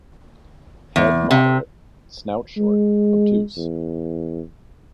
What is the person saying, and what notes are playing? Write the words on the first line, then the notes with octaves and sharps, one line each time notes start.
Head moderate; snout short, obtuse.
E2
C3
G#3
E2